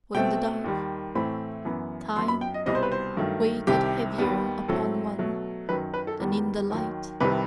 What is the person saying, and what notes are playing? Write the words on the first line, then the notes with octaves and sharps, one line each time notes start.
For in the dark, time weigheth heavier upon one than in the light.
B2 A3 C4 G5
D#2 D#3 G3
A2 E3 A3 C4 B5
F#2 E3 B3
F#2 F#3 B3 C6
B5
G5
D#5
C2 B2 G3 C4 D#5
C5
B4
C5
G2 D#3 F#3 A3
C2 C3 D#3 G4
D#2 D#3 G3 B3
A2 F#3 C4 A4
B2 F#3 A3
F#2 D#3 F#3 B4
B4
A4
E2 D#3 G3 B3
D#2 D#3 F#3
C2 C3 D#3 G3 B4